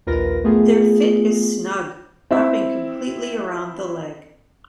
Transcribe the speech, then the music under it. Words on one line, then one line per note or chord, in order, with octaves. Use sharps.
Their fit is snug, wrapping completely around the leg.
A#1 D#2 F4 A#4 B4 A#6
A3 B3 F4 G#4
C4 E4